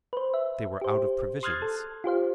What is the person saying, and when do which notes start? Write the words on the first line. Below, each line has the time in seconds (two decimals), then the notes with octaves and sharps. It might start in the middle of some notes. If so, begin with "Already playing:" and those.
They were out of provisions.
0.13 B4 C5
0.34 E5
0.81 G4 C5
1.43 C6 D#6 F6 F#6 G#6 A6
1.62 A4
2.04 F4 G4 C5 F5